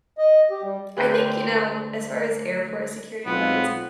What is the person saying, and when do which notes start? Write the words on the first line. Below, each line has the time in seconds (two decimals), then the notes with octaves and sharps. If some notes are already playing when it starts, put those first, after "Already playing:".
I think, you know, as far as airport security lines,
0.18 D#5
0.51 G4
0.63 G3
0.96 D2 G#4 B4 C5 G5 G6
1.28 C5
3.25 B1 B3 C4 F4